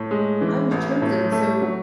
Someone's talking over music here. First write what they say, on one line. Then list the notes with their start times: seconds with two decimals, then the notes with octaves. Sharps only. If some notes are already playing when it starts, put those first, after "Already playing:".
I was chosen, so,
Already playing: A2
0.11 G#3
0.41 E3
0.71 A1
1.02 A2
1.32 A3
1.62 F#3